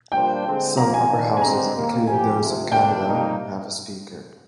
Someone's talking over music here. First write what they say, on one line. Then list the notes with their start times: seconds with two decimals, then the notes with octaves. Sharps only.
Some upper houses, including those of Canada, have a speaker.
0.12 A#2 G3 D4 F4 C5 G5
0.45 D3 G#3 C4
0.77 C3 F3 A#3 A#5
0.94 G#5
1.09 D#3 A#3 D4
1.37 G#5
1.42 G2 D3 G#3 C4 G4 A#5
1.74 D#2 D#3 A#3
2.07 F3 C4 G4 G#5
2.39 D2 C3 F3
2.72 D2 C3 G3 A#3 D4 G5
3.04 F2 C3 G3 A#3 D#4